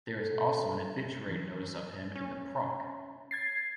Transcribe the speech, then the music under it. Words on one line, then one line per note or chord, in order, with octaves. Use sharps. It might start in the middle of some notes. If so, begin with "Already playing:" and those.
There is also an obituary notice of him in the Proc.
A4
B2
A#4
E6
E3
C#4
G#6 A6 C7